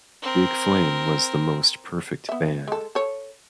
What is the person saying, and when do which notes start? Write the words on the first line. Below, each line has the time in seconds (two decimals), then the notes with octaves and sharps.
Big Flame was the most perfect band.
0.22 C4 A#4
2.29 B3 E5
2.68 G#3 A4
2.95 A4 C#5